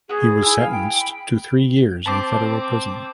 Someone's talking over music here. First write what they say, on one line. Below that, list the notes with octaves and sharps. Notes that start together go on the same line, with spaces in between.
He was sentenced to three years in federal prison.
B3 F#4 G#4
E4 G#5 E6
F5
G5
B5
C4 A5 D6